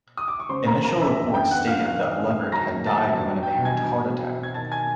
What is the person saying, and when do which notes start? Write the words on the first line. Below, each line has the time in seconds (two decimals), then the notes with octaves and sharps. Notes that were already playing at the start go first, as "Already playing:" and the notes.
Initial reports stated that Levert had died of an apparent heart attack.
0.17 D#6
0.28 D6
0.40 C#6
0.49 C#3 C5 C6
0.67 C#3 A#4 A#5
0.84 D2 A#4 A#5
1.01 E3 E5 E6
1.18 F#2
1.34 D3 G5 G6
1.51 B3 F#5 F#6
1.68 F#2 F5 F6
1.85 D#3 F5 F6
2.02 C4
2.19 G#3
2.36 D#3
2.52 F#3 A#5 A#6
2.69 A#2
2.86 A#3 A5 A6
3.03 F#3
3.19 G2
3.36 G2
3.43 G5 G6
3.54 G2
3.65 G#5 G#6
3.71 E3
3.87 B2
4.05 B2
4.21 C4
4.38 B2
4.43 G#6
4.54 D#3 A5 A6
4.71 G#5 G#6